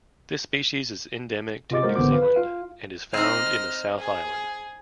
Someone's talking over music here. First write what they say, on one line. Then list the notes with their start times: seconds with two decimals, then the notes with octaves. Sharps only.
This species is endemic to New Zealand and is found in the South Island.
1.71 C3 F4 G#4 D#5 D6 A6
1.83 G#3 A#3 F#4 A#4 C5
1.96 A1 D3 D#3 B3 C5 D6
2.11 B4 F5
2.22 B4
2.36 F4 F5
3.14 C4 D#4 D#5 F6
3.99 G#4